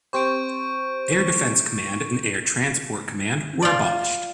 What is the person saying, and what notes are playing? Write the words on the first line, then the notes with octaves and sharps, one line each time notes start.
Air Defence Command and Air Transport Command were abolished.
C4 G4 C5 C#6 G6 D7
F4 D5